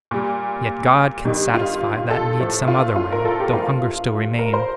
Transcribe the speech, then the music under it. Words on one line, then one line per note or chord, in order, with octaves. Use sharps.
Yet God Can satisfy that need some other way, Though hunger still remain.
A#2 G3
G2 D#3 G3
F4
A4
A2 F3 A3
F4
F4
A#4
A4
G4
G2 F3 A3 F4
A#4
C5